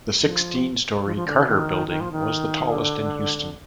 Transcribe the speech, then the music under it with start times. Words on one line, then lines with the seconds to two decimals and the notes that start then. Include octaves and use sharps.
The sixteen-story Carter Building was the tallest in Houston.
0.23 F3
1.06 F3
1.16 F3
1.27 D3
1.36 D#3
1.48 D#3
1.89 D#3
2.00 F3
2.12 D#3
2.72 D3